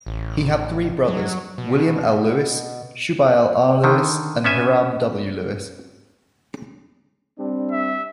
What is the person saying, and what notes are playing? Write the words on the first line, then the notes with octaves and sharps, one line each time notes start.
He had three brothers, William L. Lewis, Shubael R. Lewis, and Hiram W Lewis.
A1
F#3
B2
D3 D#3
B3 C#4 E5 G#5
G3 C4 D4
E5